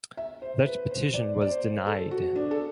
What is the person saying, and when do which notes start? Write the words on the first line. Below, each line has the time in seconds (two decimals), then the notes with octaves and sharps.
That petition was denied.
0.17 E5
0.42 C5
0.66 B4
0.91 C5
1.14 D5
1.41 D5
1.51 C5
1.87 A4
2.11 F#4
2.36 D4
2.51 A4